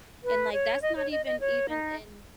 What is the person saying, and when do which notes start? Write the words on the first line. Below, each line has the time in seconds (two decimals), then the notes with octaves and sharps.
and, like, that's not even even in
0.24 B4
0.53 C#5
0.82 D#5
0.96 C#5
1.11 D#5
1.26 D#5
1.40 C#5
1.69 D#4